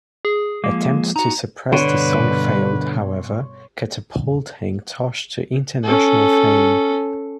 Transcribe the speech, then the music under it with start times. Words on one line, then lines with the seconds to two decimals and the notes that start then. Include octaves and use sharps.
Attempts to suppress the song failed, however, catapulting Tosh to international fame.
0.25 G#4
0.64 F3 G#3 A#3
1.16 D#4 F#4 A#5
1.72 G2 B2 D3 B4 C#5 C6
5.84 C#4 A4